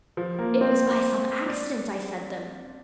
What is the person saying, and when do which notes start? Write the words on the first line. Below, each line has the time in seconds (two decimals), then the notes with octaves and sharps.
It was by some accident I said them....
0.17 F3
0.39 A#3
0.61 C4
1.46 D4